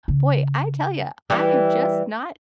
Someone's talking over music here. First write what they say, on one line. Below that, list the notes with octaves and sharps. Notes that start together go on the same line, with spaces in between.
boy, I tell you, I am just not
C#3
E3 G3